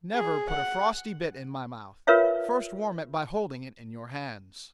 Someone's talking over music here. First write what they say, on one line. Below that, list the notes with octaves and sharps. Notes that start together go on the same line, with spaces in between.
Never put a frosty bit in my mouth; first warm it by holding it in your hands.
G#4
F#5
F4 A#4 B4 C#5 E5 F5